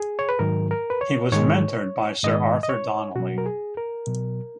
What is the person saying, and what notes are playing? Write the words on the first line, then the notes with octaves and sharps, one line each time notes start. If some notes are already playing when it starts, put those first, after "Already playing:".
He was mentored by Sir Arthur Donnelly.
Already playing: G#4
C#5
B4
G#2 D#3 F#3 A#4
A#4
B4
C#5
G#2 D#3 G#3 C#5
G#2 D#3 G#3 D#5
D#5
C#5
B2 F#3 F#4
A#4
G#4
A#4
B2 F#3